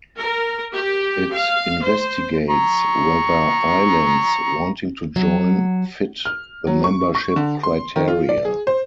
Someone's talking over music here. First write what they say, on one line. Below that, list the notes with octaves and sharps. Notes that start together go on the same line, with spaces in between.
It investigates whether islands wanting to join fit the membership criteria.
A#4
G4
F5
C5
A#5 C#6
F#3
F6
F#3
C#6
C#6
D3
C6
D#3
F4
D5
G#4
C5